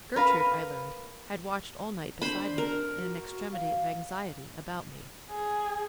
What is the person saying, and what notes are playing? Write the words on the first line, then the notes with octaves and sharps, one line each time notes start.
Gertrude, I learned, had watched all night beside me, in an extremity of anxiety about me.
A#4 B4 F5
D4 C5 B5
A#4
F#4
F5
G#4